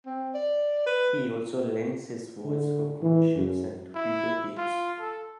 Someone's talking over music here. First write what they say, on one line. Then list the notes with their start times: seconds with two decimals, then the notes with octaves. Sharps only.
He also lends his voice for commercials and video games.
0.06 C4
0.35 D5
0.86 B4
2.45 D3
3.02 E3
3.36 F#2
3.95 E4
4.57 F4
5.00 A4